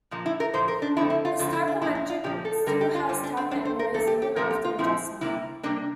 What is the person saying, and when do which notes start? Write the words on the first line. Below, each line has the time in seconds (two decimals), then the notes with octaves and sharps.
This type of engine still has tappet noise even after adjustment.
0.11 A#2 F3 A#3
0.26 E4
0.40 A#4
0.53 A#2 F3 A#3 C5
0.68 A#4
0.82 D4
0.97 F2 D3 A3 C4 E4
1.10 E4
1.25 F4
1.39 F2 D3 A3 C4 F4
1.53 E4
1.68 D4
1.81 A#2 F3 A#3 E4
1.95 E4
2.09 F4
2.24 A#2 F3 A#3 G4
2.45 A4
2.66 G2 D3 G3 A#4
2.81 G4
2.95 F4
3.09 G2 D3 G3 F4
3.23 D4
3.37 C4
3.51 G2 E3 A3 D4
3.65 C5
3.79 A#4
3.94 G2 E3 A3 A4
4.07 G4
4.22 G4
4.36 A#2 F3 A3 C4 A#4
4.51 G4
4.64 F4
4.78 A#2 F3 A3 C4 E4
5.21 C3 G3 A#3 E4
5.63 C3 G3 A#3 D4